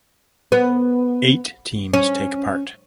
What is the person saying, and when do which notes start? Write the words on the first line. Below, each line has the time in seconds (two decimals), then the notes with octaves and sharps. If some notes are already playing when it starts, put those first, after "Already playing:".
Eight teams take part.
0.52 B3
1.94 C#4